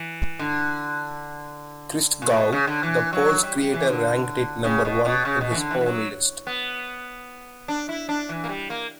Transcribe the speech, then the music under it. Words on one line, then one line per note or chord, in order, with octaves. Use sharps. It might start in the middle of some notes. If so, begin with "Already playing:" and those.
Christgau, the poll's creator, ranked it number one in his own list.
Already playing: E3
D3
A#2
B2
C#3
D3
E3
F#3
G3
G3
E3
D3
C#3
B2
B2
C#3
B2
E3
D3
E3
E3
F#3
B3
D4
E4
D4
E3
A#3
G3
A#3